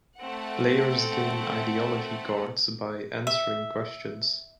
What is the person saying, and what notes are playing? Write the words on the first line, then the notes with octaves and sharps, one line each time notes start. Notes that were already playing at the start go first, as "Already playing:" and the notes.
Players gain Ideology Cards by answering questions.
A3 C4 F#5
E5